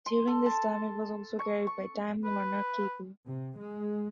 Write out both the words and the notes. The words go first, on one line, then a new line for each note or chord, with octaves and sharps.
During this time, it was also carried by Time Warner Cable.
C6
A4
A5
C#6
C#6
B4
C3
G#3